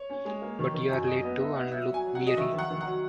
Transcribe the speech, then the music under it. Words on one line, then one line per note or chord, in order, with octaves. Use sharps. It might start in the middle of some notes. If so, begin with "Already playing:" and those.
But you are late too, and look weary.
Already playing: C#5
C#4
G#3
A#3
D#3
D#3
F#2
F#3 D#5
B3 D#5
D#4 E5
B3 F#5
F#3 E5
F#3
G#5
F#3
F#5
F#3
D#5
D#3 E5
D#3
F#5
D#3
F#3 F#5